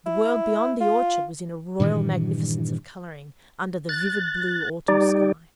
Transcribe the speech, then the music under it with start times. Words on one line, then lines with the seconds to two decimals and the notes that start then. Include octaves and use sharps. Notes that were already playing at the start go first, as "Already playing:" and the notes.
The world beyond the orchard was in a royal magnificence of colouring, under the vivid blue autumn sky.
0.06 E4
0.81 F4
1.80 G2 A#2 D#3 E3
3.89 F#6 A6
4.88 G3 D#4 G4 D5